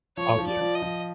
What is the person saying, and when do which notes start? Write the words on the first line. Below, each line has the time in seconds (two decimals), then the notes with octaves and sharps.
Oh, yes.
0.17 F3 C#5
0.38 F3
0.46 D5
0.61 F3
0.75 D#5
0.82 F3